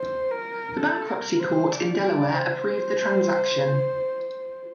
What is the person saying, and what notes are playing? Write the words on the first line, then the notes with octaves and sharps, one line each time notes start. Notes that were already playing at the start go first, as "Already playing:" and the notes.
The Bankruptcy Court in Delaware approved the transaction.
Already playing: C5
A#4
A4
A#4
C5
D5
D5
C5